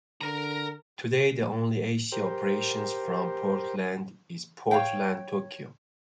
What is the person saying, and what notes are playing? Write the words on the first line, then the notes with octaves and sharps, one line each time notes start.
Today, the only Asia operations from Portland is Portland-Tokyo.
D3 A#4 A#5
G4 A#4 C5
C#5 D5 F5 G5